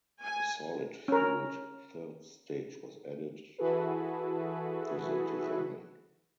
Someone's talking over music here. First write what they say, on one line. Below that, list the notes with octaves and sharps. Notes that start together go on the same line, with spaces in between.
A solid-fueled third stage was added to the design.
G#5
C#4 A#4
E3 E4 F#4 G#4 A4 B4